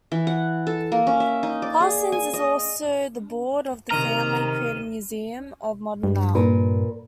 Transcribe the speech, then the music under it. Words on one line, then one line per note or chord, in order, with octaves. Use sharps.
Parsons is also on the board of the family created Museum of Modern Art.
E3
F#5
A4
A#3
C#4
E5
D#4
D5
G#4
G#5
D#5
C3 D#3 A#5 F6 D#7 E7
G2
A#2 A#4 B4